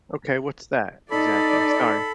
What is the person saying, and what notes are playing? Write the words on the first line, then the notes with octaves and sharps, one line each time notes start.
Okay, what's that exactly? Sorry.
D#4 A4 D5 B5